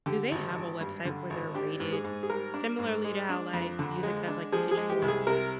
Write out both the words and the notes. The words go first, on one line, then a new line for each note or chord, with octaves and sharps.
Do they have a website where they're rated similarly to how, like, music has, like, Pitchfork?
D3 G4
G#1
G#1
G2
D3
G#1
D4 G4
G#2
G#4
G#2
G#4
G3 A#4
D4
G#2
G#3
D4
F2
D3
G#3
D4
F3 G#4
G#4
G#3
G4
C2
G#4
C3 A#4